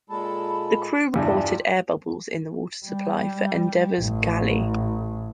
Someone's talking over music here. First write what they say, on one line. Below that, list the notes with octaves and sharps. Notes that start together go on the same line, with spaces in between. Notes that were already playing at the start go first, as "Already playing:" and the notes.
The crew reported air bubbles in the water supply for "Endeavour"'s galley.
A#2 G#3 A4 B5
E2 G2 G3 F4 E5
G3
A1